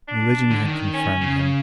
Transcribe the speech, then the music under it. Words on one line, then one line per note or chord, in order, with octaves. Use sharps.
Religion had confirmed him.
D4
D3
D#3
C#4
C#3